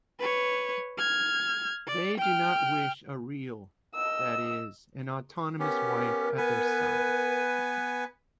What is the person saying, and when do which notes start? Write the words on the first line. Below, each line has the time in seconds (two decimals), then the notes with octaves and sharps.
They do not wish a real, that is, an autonomous wife at their side.
0.19 B4 C#5
0.98 F6 G#6
1.87 D5
2.17 G5 F6
3.95 D#5 E6
5.59 B3 C#4 G4 A#4
6.37 B3 B4 G#5